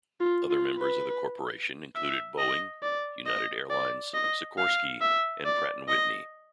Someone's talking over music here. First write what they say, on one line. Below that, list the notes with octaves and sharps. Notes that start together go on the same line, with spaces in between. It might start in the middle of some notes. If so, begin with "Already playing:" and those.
Other members of the corporation included Boeing, United Airlines, Sikorsky, and Pratt and Whitney.
F4
F4
B4
E5
D#5
D5
D#5
D5
D#5
F5
E5
D5
D#5